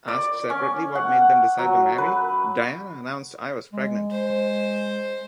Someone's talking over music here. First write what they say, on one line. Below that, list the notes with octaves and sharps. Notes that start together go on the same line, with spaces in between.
Asked separately what made them decide to marry, Diana announced I was pregnant!
D5
C#4
F#5
F#3
B4
G#3
C5